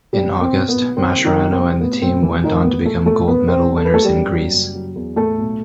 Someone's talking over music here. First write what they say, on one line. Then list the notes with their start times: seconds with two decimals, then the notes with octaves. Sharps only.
In August, Mascherano and the team went on to become gold medal-winners in Greece.
0.13 B1 G3 G4
0.33 B2
0.41 C4
0.55 B1
0.69 B3
0.76 B1
0.97 D#3 C4
1.18 C2
1.24 D#3 D#4
1.39 C2
1.53 C4
1.60 C2
1.81 A2 B3
2.02 B1 C4
2.22 E3 G3 E4
2.44 A2 D#3 D#4
2.64 A2 B3
2.85 B1 A3 A4
3.06 B1 A3 A4
3.28 B1 B3 B4
3.48 F#2 C4 C5
3.70 G3
3.77 A4
3.85 B4
3.91 G3 A3 A4
4.04 G3 G4
4.12 F#2
4.33 F#3
4.53 F#1
4.75 F#3
4.95 E2
5.16 A2 A3 A4
5.37 B1